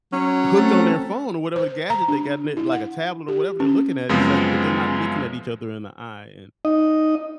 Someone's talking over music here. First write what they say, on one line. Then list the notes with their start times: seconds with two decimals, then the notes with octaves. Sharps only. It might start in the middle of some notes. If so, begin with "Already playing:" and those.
hooked on their phone or whatever gadget they got, l like a tablet or whatever they're looking at, it's like but they're not looking at each other in the eye and,
0.13 F#3 C#4
0.58 A3 C4
1.56 C5
1.90 A#5
2.08 D4
2.57 E4
2.72 F#5
3.28 G4
3.60 C#4
4.09 F#2 C#3 F3 G#3 B3 C4
6.65 D#4 D#5